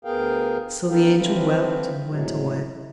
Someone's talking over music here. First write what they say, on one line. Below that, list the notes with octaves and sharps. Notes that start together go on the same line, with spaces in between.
So the angel wept and went away.
D2 B3 G#4 A#4 F5 G5
B3 D#4 A4 B4 F5 G5
D3 E3 F3 C4 F4 B4
A2 C3 F#3 G#3